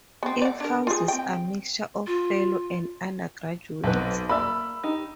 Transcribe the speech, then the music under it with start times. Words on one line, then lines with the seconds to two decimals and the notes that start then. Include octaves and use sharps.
It houses a mixture of fellows and undergraduates.
0.23 B3 C4
0.42 D5 F#5
0.60 D4 A#4
0.87 F4 G#4
1.08 C4 G5
2.07 F4
3.84 B1 F#3 C4 B4
4.29 A#3 D5 E5 B5 E6
4.84 D#4 G4